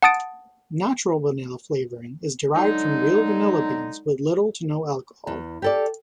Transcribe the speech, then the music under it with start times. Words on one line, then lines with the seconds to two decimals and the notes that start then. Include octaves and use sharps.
Natural vanilla flavoring is derived from real vanilla beans with little to no alcohol.
0.03 F#5 A5 D#6 A6 D7
2.54 D3 F#3 G#3 D#4
5.27 E2
5.62 G4 A4 D5